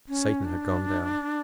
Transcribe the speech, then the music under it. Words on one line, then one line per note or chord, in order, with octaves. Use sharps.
Satan had gone down.
C#4
D4